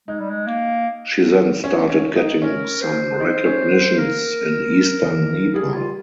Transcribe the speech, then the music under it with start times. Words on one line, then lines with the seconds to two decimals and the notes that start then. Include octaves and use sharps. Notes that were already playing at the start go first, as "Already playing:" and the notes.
She then started getting some recognitions in eastern Nepal.
0.08 G#3 D#4
0.19 G3
0.30 G#3
0.47 A#3
1.64 C#4
1.90 C#4
2.16 D#4
2.42 C#4 A#4
2.81 C5
3.20 D#4
3.46 C#4
3.72 C4
3.98 A#3 A#4
5.54 G3 G#4
5.74 F4